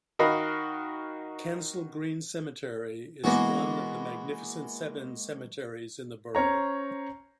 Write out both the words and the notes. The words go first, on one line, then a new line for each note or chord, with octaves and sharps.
Kensal Green Cemetery is one of the 'Magnificent Seven' cemeteries in the borough.
D#3 F#4 A#4 D#5 F5 B5
E3 G#3 A#3 B3 F#4
C#4 C5 C#5 A#5